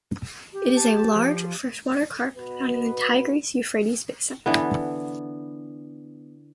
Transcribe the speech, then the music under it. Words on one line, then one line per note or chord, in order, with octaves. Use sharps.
It is a large freshwater carp found in the Tigris-Euphrates Basin.
G4
A5
F3
B2 B3 B4
D3 E3 B3